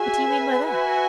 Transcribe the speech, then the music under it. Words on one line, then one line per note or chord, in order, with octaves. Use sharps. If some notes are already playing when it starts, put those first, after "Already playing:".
"What do you mean by that?"
Already playing: F#4 G#4 E5 G#5
B4
F#4 E5 G#5